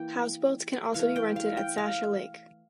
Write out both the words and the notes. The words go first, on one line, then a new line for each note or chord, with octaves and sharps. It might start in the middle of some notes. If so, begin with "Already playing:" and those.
Houseboats can also be rented at Shasta Lake.
Already playing: E3 A#3 G5
E3 A3 F5
G5
F5
G5
F5